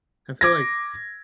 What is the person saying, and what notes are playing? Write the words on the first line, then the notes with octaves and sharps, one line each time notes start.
I feel like
D6 G#6 A#6